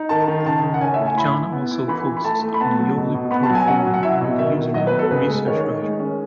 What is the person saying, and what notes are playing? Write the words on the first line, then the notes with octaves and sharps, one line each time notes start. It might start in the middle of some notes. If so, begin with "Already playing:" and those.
John also posts on the YoLiverpool forum under the username ResearchWriter.
Already playing: D#4
D#3 A5
D#3
C#3 A5
C#3
F#5
C#4 G#5
E5
A2
G#5
E4 B5
E4
B3
E4
E3 B5
E3
B5
A3 A5
A3
B5
B3 A5
F#3
B2
B2
B3 B5
A5
F#3
G#5
C#4 F#5
F#3
F#5
E4 E5
B2
D#3 E5
D#3
F#3 D#5
B4
B3
A4
C#3 B4
G#3
D#3 C#5
D#3
G#3
C#4